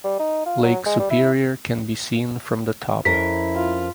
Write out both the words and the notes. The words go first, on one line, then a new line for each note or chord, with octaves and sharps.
Lake Superior can be seen from the top.
G3
D#4
F4
F#3
G#3
G3
E4
F2 C#4 E4 A#4 B6
F4